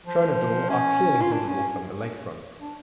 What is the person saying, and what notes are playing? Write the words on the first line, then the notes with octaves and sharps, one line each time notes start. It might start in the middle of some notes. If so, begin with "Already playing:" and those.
Tronador are clearly visible from the lakefront.
F3
C#4
F4
D4
C#4
D4